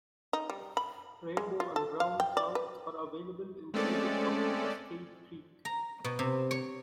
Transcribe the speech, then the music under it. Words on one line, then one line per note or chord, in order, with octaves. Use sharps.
Rainbow and brown trout are available in the river up to Cascade Creek.
D#4
G3
B5
G#3
F4
A4
F5
G5
D5
B4
G#3 A3 C4 C#4 A4 D5
A#5
B2
C3
C#5